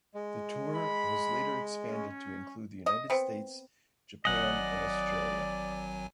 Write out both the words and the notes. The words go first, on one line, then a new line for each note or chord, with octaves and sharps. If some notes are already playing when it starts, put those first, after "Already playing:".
The tour was later expanded to include the United States, Japan and Australia.
G#3
B5
C#4
D#5
B3 C4
G#1 F#3 D5 D#5 F#5 G#5